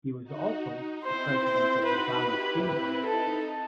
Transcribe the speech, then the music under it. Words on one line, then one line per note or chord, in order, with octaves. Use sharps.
He was also the President of the Ghana Skin Foundation.
D#4 F#4
D#4
C4 E4 C5
C5
D#4 F#4 B4
E4 G4
C4 E4 B4
D#4 A4